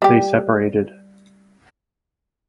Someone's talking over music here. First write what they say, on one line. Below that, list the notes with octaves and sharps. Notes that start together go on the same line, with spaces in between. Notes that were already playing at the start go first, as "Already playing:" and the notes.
They separated.
G3 G4